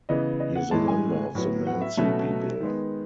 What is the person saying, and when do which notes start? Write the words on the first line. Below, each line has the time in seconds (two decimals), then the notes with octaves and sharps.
He is a member of the Mansi people.
0.09 C#3 E3 B3 D#5
0.40 D#5
0.56 F#5
0.71 A2 E3 G#3 A5
0.88 G#5
1.35 A2 F#3 B3
1.67 F#5
1.81 E5
1.97 B2 F#3 A3 C#4 E5
2.60 D#3 G#3 B3